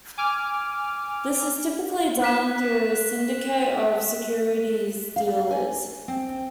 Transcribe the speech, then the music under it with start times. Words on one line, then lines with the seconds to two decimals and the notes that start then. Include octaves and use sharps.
This is typically done through a syndicate of securities dealers.
0.17 G#5 D6 F6
2.22 F#6 B6 E7
5.16 F5
5.51 G#5
6.08 C4